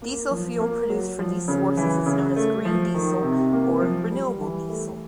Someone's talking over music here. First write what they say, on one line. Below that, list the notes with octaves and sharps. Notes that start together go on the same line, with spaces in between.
Diesel fuel produced from these sources is known as "green diesel" or "renewable diesel".
A#3
F3
A#3
F#3
F3
C#3
E3
C#3
A3
F3
D#3
C3
A#3
F3
G3
E3
A3